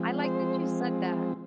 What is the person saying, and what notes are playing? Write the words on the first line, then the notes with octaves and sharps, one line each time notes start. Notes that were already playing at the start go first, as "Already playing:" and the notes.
I like that you said that.
Already playing: F3 G#3 C4
C5